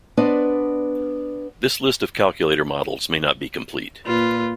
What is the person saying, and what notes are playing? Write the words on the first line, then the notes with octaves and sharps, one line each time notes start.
This list of calculator models may not be complete.
B3 D4 B4 C5 D5 D#5
A#2 F4 B4